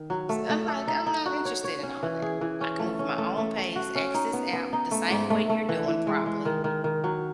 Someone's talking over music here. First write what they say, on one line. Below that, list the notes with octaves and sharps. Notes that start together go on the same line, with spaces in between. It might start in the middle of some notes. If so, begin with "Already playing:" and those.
So I'm like, "I'm not interested in all that. I can move at my own pace, ask this app the same way you're doing, probably,
Already playing: D#3
F#3
A3
A3
A4
D#4
D#4
F#4
C#5
C#5
C#4
E3
G#4
E3
C#4
A3
C#4
A3
A3
A3
F#4
C#4
D#4
B3
B3
D#4
A3
G#2
A3
A3
E3
E3
G#3
G#3
D#3
D#3
D#3
F#3